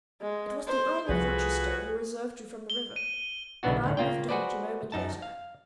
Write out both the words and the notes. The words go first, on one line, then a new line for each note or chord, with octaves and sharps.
"It was the Earl of Rochester who reserved you from the river; but I would have done it a moment later."
G#3
C5
C2 F2 F3 F#4 G#4 B4
G7
D#7
B1 C#3 E3 B3 D4 F#4
D2 A2 D#3
C#3 A#3 F4 G5
F#4 G#4 B4 C5 D5
F#2 D#4 A5
F5